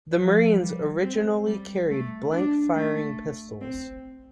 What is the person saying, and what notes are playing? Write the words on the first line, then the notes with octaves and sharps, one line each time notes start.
The marines originally carried blank firing pistols.
F3
G3
C4
G3
A3
D4
A3
C4